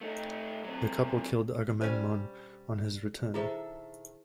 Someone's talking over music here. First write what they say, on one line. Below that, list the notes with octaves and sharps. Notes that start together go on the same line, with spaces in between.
The couple killed Agamemnon on his return.
A3 D#4
F#3 C4
G3 C#4 C5 G#5
D#3 E4 G#4 A4 C5 E5